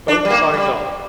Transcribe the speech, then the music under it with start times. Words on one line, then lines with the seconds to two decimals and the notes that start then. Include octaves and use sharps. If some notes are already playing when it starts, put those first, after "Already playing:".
Both signed on.
0.08 D4
0.25 G3
0.30 A#3
0.54 G3